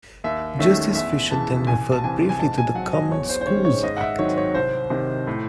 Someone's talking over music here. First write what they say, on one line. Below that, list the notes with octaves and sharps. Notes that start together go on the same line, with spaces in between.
Justice Fisher then referred briefly to the "Common Schools Act".
D#2 E5
D#3 A3 C#4 E5
E2 E5
C#3 E3 A5
C2 G#5
A5
C3 E3 C4 G#5
G#5
G#2 A5
G#5
F#3 C4 F#5
D#5
E2 C#5
C5
C5
D#3 G#3 C#4 C#5
C#5
G#2 D#5
F#5
E5
D#3 F#3 C4 D#4 C#5
C#5
C2 C5
C3 D#3
A2